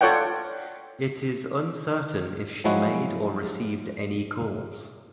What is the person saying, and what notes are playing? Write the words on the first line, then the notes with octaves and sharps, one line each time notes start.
It is uncertain if she made or received any calls.
F4 A4 C#5 D5 F#5 G5
F3 F#3 G#3 E4 F#4